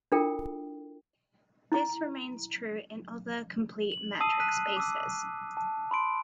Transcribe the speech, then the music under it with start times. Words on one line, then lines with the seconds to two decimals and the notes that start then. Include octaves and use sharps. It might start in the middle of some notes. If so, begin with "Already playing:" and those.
This remains true in other complete metric spaces.
0.12 D4 E4 F4 A4 A#4 G5
1.72 E4 A#5
3.92 F#7
4.20 A5 D#6 E6 C7 D#7
4.40 F#6 B6 D#7
4.77 D6 E6
5.57 A5
5.91 B5 C6 D7